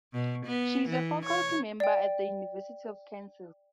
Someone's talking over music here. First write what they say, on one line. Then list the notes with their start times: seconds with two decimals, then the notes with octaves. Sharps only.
She is a faculty member at the University of Kansas.
0.13 B2
0.46 B3
0.89 E3
1.26 C#5
1.80 D5 G5